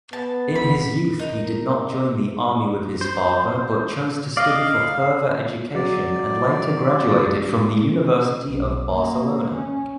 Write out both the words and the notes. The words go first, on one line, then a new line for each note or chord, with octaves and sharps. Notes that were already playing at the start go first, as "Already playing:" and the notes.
In his youth, he did not join the army with his father, but chose to study for further education, and later graduated from the University of Barcelona.
B3 A5
B5
D#4 A#4
C5
D5 D#5 F5
F#3 D5
B1
A#3
C#4